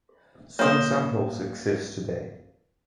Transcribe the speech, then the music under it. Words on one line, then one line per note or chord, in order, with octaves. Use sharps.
Some samples exist today.
A#3 C5 C#5 D#6